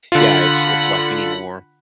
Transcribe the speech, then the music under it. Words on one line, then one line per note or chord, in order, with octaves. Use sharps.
yeah, it's it's like anymore
D3 F4 F#5 B5